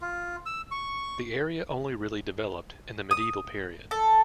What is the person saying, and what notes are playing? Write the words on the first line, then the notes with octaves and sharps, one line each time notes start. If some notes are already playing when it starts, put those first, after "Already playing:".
The area only really developed in the medieval period.
F4
E6
C#6
D#6
A4